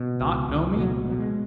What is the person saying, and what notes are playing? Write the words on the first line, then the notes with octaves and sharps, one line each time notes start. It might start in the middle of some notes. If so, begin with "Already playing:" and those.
Not know me!
Already playing: B2
C#2
C#2
B2 F#3
B2
F#3
G#3